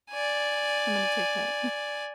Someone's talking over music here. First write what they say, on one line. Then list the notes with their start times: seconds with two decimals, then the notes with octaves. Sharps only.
I'm gonna take that.
0.10 D5 G#5